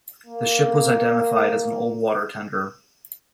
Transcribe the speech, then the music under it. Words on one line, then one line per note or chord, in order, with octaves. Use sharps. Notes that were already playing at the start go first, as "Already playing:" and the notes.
The ship was identified as an old water tender.
A#3